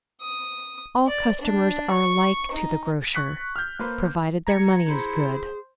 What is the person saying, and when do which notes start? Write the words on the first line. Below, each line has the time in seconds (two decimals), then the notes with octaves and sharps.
All customers are alike to the grocer, provided their money is good.
0.22 D#6
1.07 D5
1.41 D4
1.90 C#6
2.52 D#4
3.15 C#6 F#6 B6
3.56 F6 G6
3.79 A#3 B4 C5
4.47 A#5 G#6 C#7
4.88 E4 G#4 C5